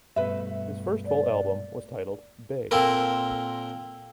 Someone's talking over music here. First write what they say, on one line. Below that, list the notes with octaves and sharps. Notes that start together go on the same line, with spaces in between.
His first full album was titled "Bae".
G2 B2 A3 B4 E5
D5
A#2 C4 A4 A#4